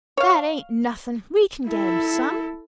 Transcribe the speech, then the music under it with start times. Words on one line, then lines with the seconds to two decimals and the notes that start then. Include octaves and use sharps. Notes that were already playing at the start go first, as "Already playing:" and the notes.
"That ain't nothing; we can get him some."
0.17 C#5 F5
1.68 E4 A4